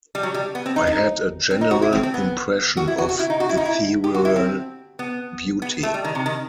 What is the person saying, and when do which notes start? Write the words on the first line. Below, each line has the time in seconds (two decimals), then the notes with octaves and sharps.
I had a general impression of ethereal beauty.
0.15 G3
0.23 F#3
0.34 G3
0.55 B3
0.66 C4
0.76 D#4
0.87 D#4
1.51 C4
1.61 D#4
1.71 F#4
1.82 E4
1.92 C4
2.03 C4
2.14 B3
2.77 F#4
2.88 E4
2.98 F#4
3.09 F#4
3.19 E4
3.30 D#4
3.40 F#4
3.49 E4
3.57 D#4
3.65 E4
4.04 G4
4.14 F#4
4.25 E4
4.36 C4
4.99 B3
5.62 B3
5.83 A3
5.94 G3
6.04 D#3
6.15 C3
6.26 D#3